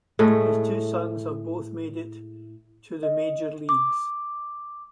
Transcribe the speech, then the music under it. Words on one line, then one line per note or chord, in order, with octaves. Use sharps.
His two sons have both made it to the major leagues.
A2 G#3 A3
D#5
D6